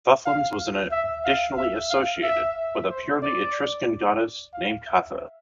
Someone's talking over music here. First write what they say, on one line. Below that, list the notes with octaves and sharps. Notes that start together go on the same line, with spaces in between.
Fufluns was additionally associated with a purely Etruscan goddess named Catha.
F5
E5
F5
E5
F5
E5
C5
D5
F5
E5